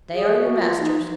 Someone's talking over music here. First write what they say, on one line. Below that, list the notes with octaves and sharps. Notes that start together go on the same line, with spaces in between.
They are your masters.
G#4
F#4
F4
D#4